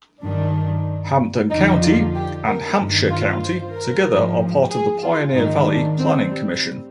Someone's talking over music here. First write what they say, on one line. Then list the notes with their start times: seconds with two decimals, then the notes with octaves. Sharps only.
Hampden County and Hampshire County together are part of the Pioneer Valley Planning Commission.
0.23 G2 D#3 D4
1.50 F2 D3 F3 D#4
1.82 F4
2.14 G4
2.46 A#4
2.78 G2 D#3
3.10 F4
3.43 C5
3.75 A#4
4.07 G#2 F3
4.70 G#4
5.03 F4
5.34 G#2 D#3 D#4
5.67 D4
5.99 C4
6.31 G3